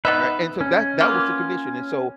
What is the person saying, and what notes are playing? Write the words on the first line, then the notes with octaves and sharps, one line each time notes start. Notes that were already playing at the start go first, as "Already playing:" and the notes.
Right? And so that that was the condition. And so
B3 D#4 B4 E5
C#4
A#3 B3 F4